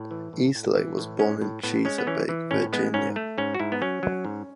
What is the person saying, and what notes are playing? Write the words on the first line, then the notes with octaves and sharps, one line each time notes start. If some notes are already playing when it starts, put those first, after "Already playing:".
Easley was born in Chesapeake, Virginia.
Already playing: A2
E3
A2
A2
E3
A2
G#3 C#4
A2
A2 B3
G#3 C#4
B3
E3 C#4
E3
A2 C#4
G#3 B3
G#2 C#4
A3
G#2 C#4
F#4
G#2 E4
B3
F#3 C#4
F#3
G#2